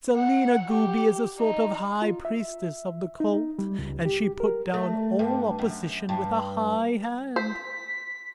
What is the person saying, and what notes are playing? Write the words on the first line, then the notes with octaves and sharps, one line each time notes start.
Selina Goobie is a sort of High Priestess of the Cult, and she put down all opposition with a high hand.
F#5
G4
D#4
F4
E5
D#4
G3
C#2
G4
A#4
A3
G2
F#2
G2
C5 B6